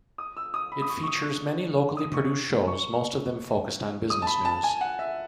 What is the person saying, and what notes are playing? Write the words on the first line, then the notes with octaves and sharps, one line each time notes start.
It features many locally produced shows, most of them focused on business news.
D#6
E6
D#6
B5
D#6
C#6
C#6
D#6
D#6
C#6
C#6
D#6
A5
B5
A5
G#5
F#5
E5